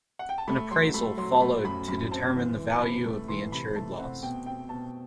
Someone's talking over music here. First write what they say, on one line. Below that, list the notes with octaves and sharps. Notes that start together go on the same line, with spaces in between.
An appraisal followed to determine the value of the insured loss.
F#5
G5
A5
A3 B5
F#3 C6
A3 B5
F#3 C6
A3 B5
F#2 B5
F#2 B5
C4 A5
E3
E3
A5
C3 B5
A3
E3 C6
C3 B5
A3 A5
C4 F#5
B2 G5
C4 G5
B2 A5